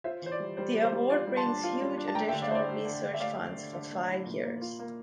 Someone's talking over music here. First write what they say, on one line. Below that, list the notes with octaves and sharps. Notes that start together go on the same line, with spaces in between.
The award brings huge additional research funds for five years.
F4 C5 E5
E3 C5
D5
G3
G3 C5
G3
C5
G3
F4 D5
G3
A5 C6
D4
F4
G3
D4
A5
A3 G5 A#5
E5 G5
D3
D5 F5
E4 C5 D5
A3
D3
D3
E5
A3 D5 F5
A3
D3
D3
A3
E4
A#2
A#3
F4
A#3